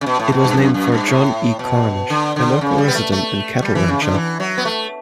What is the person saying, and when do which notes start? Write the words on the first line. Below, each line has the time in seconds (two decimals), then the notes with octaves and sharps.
It was named for John E. Cornish, a local resident and cattle rancher.
0.01 C#3
0.06 B2
0.19 A2
0.32 B2
0.44 G2
0.57 F#2
0.74 F#2
0.92 G2
1.08 A2
1.59 B2
2.10 D3
2.36 D3
2.61 C#3
2.78 G3
2.88 B3
2.95 A3
3.12 A3
3.62 G3
3.75 E3
3.88 C#3
4.02 D3
4.15 E3
4.40 F#3
4.58 B3
4.65 A3